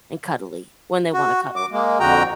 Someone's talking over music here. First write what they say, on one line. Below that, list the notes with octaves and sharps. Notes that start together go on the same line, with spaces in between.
and cuddly when they wanna cuddle.
F#4
D6
G#3 A#3
F2 D3 F#4 G5 A#5